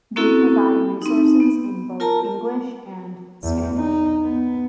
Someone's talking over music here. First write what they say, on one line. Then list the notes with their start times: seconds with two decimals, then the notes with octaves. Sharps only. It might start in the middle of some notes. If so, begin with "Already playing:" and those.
They provide resources in both English and Spanish.
0.16 A#3 C4 C#4 E4 F#4 A4
1.02 C4 D#4
1.40 B3
2.00 F4 A#4 A5 A#5
3.44 E2
3.77 D#4
4.23 B3